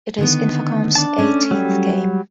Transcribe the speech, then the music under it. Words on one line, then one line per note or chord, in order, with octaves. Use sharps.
It is Infocom's eighteenth game.
D3 D#3 B3
D4 A5
A3 C#4
F#3 G3